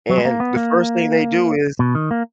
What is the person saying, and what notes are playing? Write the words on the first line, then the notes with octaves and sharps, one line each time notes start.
and the first thing they do is
F#3
G#3
A#3
B3
A#3
B2
D#3
A#3